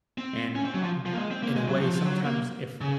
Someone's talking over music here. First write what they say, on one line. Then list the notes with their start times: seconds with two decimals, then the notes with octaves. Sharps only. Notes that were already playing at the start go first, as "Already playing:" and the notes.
and, n in a way, sometimes if
0.18 C4
0.55 C#4
0.65 C4
0.74 F#3
0.83 F3
1.06 F3
1.13 A#3
1.18 G#3
1.31 C4
1.43 A#3
1.56 G#3
1.68 F#3
1.81 F3
1.94 F3
2.05 F#3
2.24 A#3
2.81 C#3